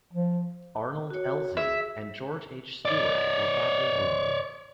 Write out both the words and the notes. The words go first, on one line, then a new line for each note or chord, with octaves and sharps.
Arnold Elzey and George H. Steuart, were badly wounded.
F3
F#4 C#5
G#4 E5
C#5 D5